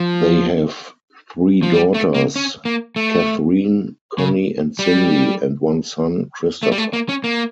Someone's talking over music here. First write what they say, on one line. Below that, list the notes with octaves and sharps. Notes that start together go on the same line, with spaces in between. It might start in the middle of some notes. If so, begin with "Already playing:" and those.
They have three daughters, Catherine, Connie and Cindy, and one son, Christopher.
Already playing: F3
F3
G3
A3
A#3
C#4
A#3
A3
C#3
G3
A3
G3
A3
A#3
C#4
A#3